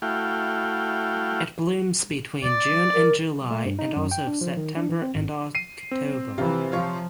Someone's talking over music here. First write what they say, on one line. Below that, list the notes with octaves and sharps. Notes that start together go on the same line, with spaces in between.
It blooms between June and July and also September and October.
A3 E4 F#4 F5 G5
D5
A#4
A3
G2
D#4
F#2
G5
D4
F3
D#3
D4
E3
C4
G#1
C7 D#7
C4
C3 E3 F4
F3 F4 C#5 F5